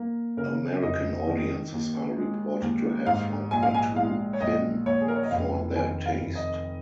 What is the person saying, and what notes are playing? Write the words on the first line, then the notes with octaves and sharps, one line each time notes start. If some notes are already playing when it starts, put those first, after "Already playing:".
American audiences are reported to have found her too thin for their taste.
Already playing: A#3
C#3 A#4
F1 D#5
D#3
D#2
G#3
D#2
G#2 F5
A#1 G#5
F5
G#5
G#3 F5
C#5
A#1 D#5
D#2 C#5
G#4
A#4
C#5
D#5
F1 F5
D#3 G#5
F5
F1
D#5